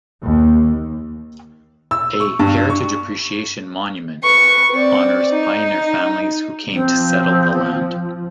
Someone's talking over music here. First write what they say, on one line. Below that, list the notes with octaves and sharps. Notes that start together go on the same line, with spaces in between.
A "Heritage Appreciation Monument" honors pioneer families who came to settle the land.
D#2
E6
C#6
G2
C#6
B4 C#6
C4 D5
D#4
F3 C4